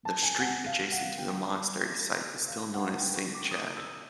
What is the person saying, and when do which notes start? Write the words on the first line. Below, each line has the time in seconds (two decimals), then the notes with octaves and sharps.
The street adjacent to the monastery site is still known as Saint Chad.
0.05 A5
0.23 G#5
0.40 F#5
0.66 F5
0.92 F#5
1.18 G5
2.48 F5
2.74 F#5
2.92 F#5
2.99 G5
3.16 C#6
3.34 D6
3.51 D#6
3.77 E6